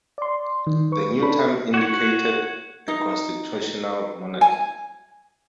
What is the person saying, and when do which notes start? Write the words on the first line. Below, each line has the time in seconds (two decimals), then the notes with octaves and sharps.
The new term indicated a constitutional monarchy.
0.18 D5 C6
0.67 D#3
0.92 B4 C#6
1.22 C#4 D4 A4 B5
1.74 F#4 C#5
2.88 D#4
4.41 G#5